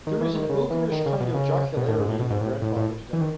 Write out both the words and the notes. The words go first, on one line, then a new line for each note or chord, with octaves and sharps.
There is an ogreish kind of jocularity in Grandfather today.
D#3
E3
D#3
C#3
E3
D#3
C#3
B2
C#3
B2
A2
G#2
A2
B2
G#2
A2
A2
A2
E3
D#3